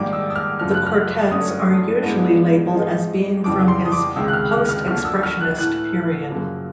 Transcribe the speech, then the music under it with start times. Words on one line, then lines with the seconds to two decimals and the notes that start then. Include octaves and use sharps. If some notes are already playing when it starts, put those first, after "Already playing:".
The quartets are usually labeled as being from his "Post-Expressionist" period.
Already playing: A#1 G#2 D#3 G3 A#3 D6
0.13 E6
0.30 E6
0.36 F6
0.60 F#2 C#3 F3 A3 F6
0.74 F#6
0.86 F6
1.31 G2 D3 F#3 A3 C#4 D#6
2.03 G#2 E3 G#3 B3 D4
2.74 G#2 F3 G#3 C4 D#4
3.44 F2 C#3 E3 G3 D6
3.68 C6
3.85 D#6
3.92 D6
4.16 C#2 C3 D#3 G#3 E6
4.28 F#6
4.33 F6
4.52 F6
4.69 F6
4.87 D2 D3 F3 A#3 F6
5.05 E6
5.23 F6
5.41 F#6
5.58 A2 E3 A3 F#6
6.30 F#2 C#3 F3 A#3